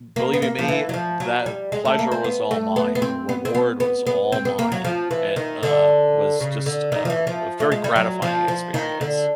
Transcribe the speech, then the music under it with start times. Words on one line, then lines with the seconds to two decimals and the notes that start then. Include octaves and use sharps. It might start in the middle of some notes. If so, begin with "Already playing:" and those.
believe you me, that pleasure was all mine. The reward was all mine. It, uh, was just a a very gratifying experience.
0.16 A#3
0.33 B3
0.42 A#3
0.59 F3
0.68 E3
0.89 F#3
0.94 F3
1.20 F#3
1.46 G3
1.72 G#3
1.85 A3
1.99 A#3
2.12 C4
2.24 B3
2.51 A3
2.76 B3
2.95 B3
3.02 C4
3.29 B3
3.45 C4
3.55 B3
3.80 B3
4.07 B3
4.32 C4
4.45 B3
4.59 A#3
4.72 F#3
4.84 F3
5.11 E3
5.36 D#3
5.63 D3
6.41 C#3
6.66 D3
6.92 D#3
7.05 F3
7.10 E3
7.27 F3
7.60 A3
7.72 G#3
7.84 G3
7.96 F#3
8.22 F3
8.48 F3
8.74 D#3
9.01 D3